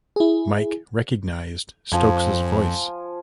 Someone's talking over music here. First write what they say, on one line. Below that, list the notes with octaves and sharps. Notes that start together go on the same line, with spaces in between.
Mike recognized Stokes's voice.
E4 G#4
F2 F3 G#5 C6